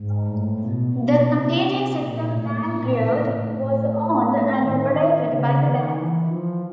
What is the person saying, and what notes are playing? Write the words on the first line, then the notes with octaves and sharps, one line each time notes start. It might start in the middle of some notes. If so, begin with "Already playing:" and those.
The competing system Bankgirot was owned and operated by the banks.
Already playing: G#2
A2
B2
B2
C3
C3
A#2
A2
A#2
A2
A2
A2
D#3
D#3
C#3
D#3
E3
F3